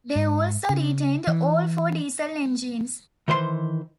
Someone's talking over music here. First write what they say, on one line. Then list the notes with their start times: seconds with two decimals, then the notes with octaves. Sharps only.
They also retained all four diesel engines.
0.15 G#2
0.69 C#3
1.27 E3
3.28 D#3 E3 C5 E5 C6